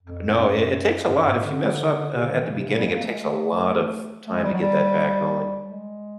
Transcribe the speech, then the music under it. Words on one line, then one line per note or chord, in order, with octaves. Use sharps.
No. It it takes a lot, if you mess up, uh, at the beginning, it takes a lot of time to get that back going.
F2
G2
F#2
G2
G#2
D3
C3
C#3
D#3
E3
C#3
C3
C#3
G3
G#3
A#3
A3
G#3
A3
A3
G#3
G3
F#3
G3
G#3